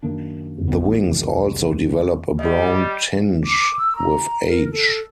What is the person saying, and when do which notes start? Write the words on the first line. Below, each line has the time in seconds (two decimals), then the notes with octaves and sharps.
The wings also develop a brown tinge with age.
0.03 F#2 D#3 A#3 D4
0.68 A1 A2 F#3 B3
1.06 F1 C2
2.39 G3 D#5
3.44 D6
3.77 E6
3.96 A#5
4.47 A#4
4.71 A4